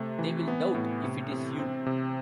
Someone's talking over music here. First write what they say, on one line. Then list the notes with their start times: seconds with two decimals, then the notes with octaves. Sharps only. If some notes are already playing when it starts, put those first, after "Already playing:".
They will doubt if it is you.
Already playing: C3 A3
0.19 E3
0.48 B3
0.74 A2
1.04 C3
1.32 C3
1.59 C4
1.86 C3